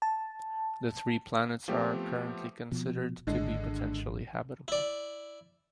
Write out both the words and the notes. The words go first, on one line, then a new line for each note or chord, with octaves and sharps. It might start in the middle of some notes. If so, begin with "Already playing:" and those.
The three planets are currently considered to be potentially habitable.
A5
F3 A3 B3 C4 G4
B2 F3
G#1 D3 G#3
E4 D5